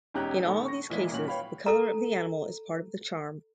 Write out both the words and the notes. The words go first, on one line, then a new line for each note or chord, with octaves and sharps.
In all these cases the color of the animal is part of the charm.
E1 C#4 D#4 G4 A#5 F#6
A#1 D#3 A4 B5
C#6 A#6
B1 E3 G#3 A#3 D5 B6
A#2 D#3 F#3 C#4 F#4 F#7
B4 C#5 F5 G5 B5
A4 A#5